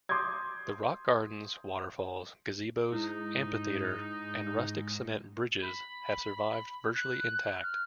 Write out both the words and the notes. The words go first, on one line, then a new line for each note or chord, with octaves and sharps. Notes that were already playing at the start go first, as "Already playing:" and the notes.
The rock gardens, waterfalls, gazebos, amphitheater and rustic cement bridges have survived virtually intact.
C6 D6 D#6 G6 G#6
G#2 D#4 E4
B5
F#6
F6